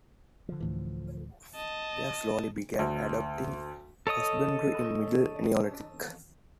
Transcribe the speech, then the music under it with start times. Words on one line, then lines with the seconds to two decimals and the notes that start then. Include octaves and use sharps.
They slowly began adopting husbandry in middle Neolithic.
0.49 D3 F3
0.60 D2 A2 E3
1.55 D#5 A5
2.79 D2
4.07 A4 C#5 D#5 D#6